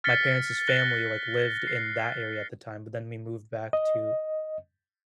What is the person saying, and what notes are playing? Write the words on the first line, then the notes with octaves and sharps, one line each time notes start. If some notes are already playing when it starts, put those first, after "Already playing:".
my parents' family, like, lived in that area at the time, but then we moved back to
F6 A6 B6 C#7 G7
F#6 A#6 G7
C7
D#5